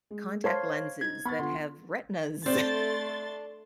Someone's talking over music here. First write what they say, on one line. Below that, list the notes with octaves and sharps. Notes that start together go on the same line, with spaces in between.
contact lenses that have retinas
G#3
C5 C#5 F5 A5 C6
D#4 G#6
B3 B5 A6
D3 F4 C6
A3 C4 D4 C6 A6